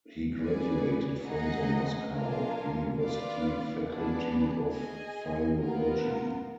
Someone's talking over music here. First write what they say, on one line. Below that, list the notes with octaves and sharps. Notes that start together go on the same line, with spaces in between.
He graduated from the Moscow University faculty of philology.
G#4 B4 D5 G#5
D#4 G#4 D#5 F#5
D4 F4 A#4 F5 G#5
F4 B4 D5 F5
B3 D4 G#4 B4 D5
G#4 D#5 G#5
B3 F4 A#4